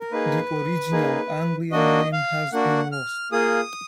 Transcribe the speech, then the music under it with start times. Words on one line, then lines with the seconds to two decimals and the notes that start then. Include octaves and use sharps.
The original Anglian name has been lost.
0.01 A#4
0.11 A#3 D#4 G#4 B4
0.92 A#3 D#4 G#4
1.72 A#3 D4 F#4 D#5
2.13 F5
2.52 A#3 D4 F#4 F#5
2.92 F6
3.32 A#3 F4 G#4 D#6